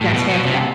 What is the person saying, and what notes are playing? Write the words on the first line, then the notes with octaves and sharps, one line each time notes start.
gonna stand for that.
A2
B2
B2
C3